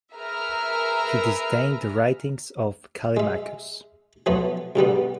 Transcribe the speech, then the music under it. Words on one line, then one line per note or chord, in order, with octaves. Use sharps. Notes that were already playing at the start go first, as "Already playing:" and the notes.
He disdained the writings of Callimachus.
G#4 A#4 B4 E5 A#5 F6
G#3 E5
F3 F#3 A3 B3
D2 G#2 G3 B3